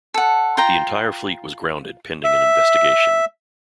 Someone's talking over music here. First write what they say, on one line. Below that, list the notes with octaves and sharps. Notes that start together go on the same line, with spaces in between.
The entire fleet was grounded pending an investigation.
A4 F#5
F4 G5 A#5
E5